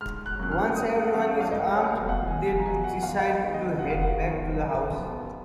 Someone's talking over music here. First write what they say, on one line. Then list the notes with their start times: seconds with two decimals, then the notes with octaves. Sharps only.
Once everyone is armed, they decide to head back to the house.
0.01 G#2 F6
0.26 F#6
0.39 F#3 A#3 C#4 F#6
0.51 F6
0.76 G#2 D#6
1.03 F#5
1.14 F#3 A#3 C#4 F5
1.40 F5
1.51 C#2 D#5
1.71 D#5
1.90 F#3 F5
1.94 B2
2.09 F#5
2.27 C#2 G#5
2.46 G#5
2.60 A#5
2.66 B2 G#5
2.68 F#3
2.84 F#5
3.03 D#2 F5
3.19 F5
3.28 D#5
3.41 D#3 G#3 B3
3.54 D#5
3.78 D#2 F#5
3.90 F5
4.01 F#5
4.17 D#3 G#3 B3
4.54 F#1
4.92 F#2 F3 B3